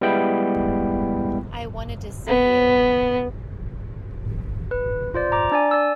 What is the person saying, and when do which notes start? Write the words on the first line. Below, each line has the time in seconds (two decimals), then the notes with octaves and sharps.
I wanted to see you.
0.01 G3 G#3 B3 E4 G5 B5
2.27 B3
4.71 B4
5.14 F4 C5 D5
5.32 A#5 D6
5.52 D4 D5 G#5
5.71 D5 E6